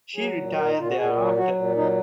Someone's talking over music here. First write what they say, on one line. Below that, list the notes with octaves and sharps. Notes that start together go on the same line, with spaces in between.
She retired thereafter.
F#3 G#4
A#2
A#2 A#4
D#4
A#2 F4
F#4
A#2 G#4
F#3
F#3 F#4
A#2
F#3 D#4